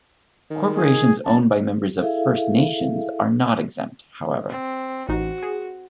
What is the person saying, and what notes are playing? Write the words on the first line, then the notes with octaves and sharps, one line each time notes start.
Corporations owned by members of First Nations are not exempt, however.
D#3
G#4
F#1 A5
E4 G#4 A4 E5 F5
C4
A1 D#4 F#4
G#4